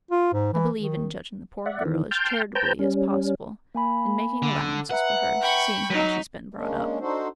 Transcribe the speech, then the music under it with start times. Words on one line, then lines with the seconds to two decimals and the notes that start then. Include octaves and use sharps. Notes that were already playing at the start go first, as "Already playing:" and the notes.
I believe in judging the poor girl as charitably as possible and making allowances for her, seeing how she's been brought up.
0.11 F4
0.33 G#2
0.53 E3
0.79 D#3
1.66 D5 E5 F#5
1.85 D#3 E3
2.11 G5 A5 C6 F6 G6
2.55 B4 C5 G5 A5 A#5 G6
2.79 G3 C#4
3.75 A#3 G#5 B5
4.42 D3
4.91 B4 E5 F#5 A#5
5.40 G5 B5 C#6
5.90 F#3 D#4 B6
6.54 G#3 A#3 C#4 D4
7.00 D4 D#4 F#4 A4 C5